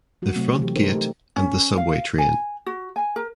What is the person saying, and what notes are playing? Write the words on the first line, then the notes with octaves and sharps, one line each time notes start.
The front gate and the subway train.
F#3 F#4
C3 F#3 A3 C4
A3
C3 E3 F#3 G4
D#4 A4 A#4 C5
A3 G4
C#4
F5
G#5
F#4
G#5
A#4